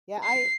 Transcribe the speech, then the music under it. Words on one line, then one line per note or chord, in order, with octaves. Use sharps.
Yeah, I
C7